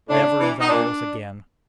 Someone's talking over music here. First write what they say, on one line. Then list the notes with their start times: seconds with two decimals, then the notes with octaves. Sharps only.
Never in that house again!
0.09 A2 D4
0.39 E3
0.60 D#4
0.69 A#2 D4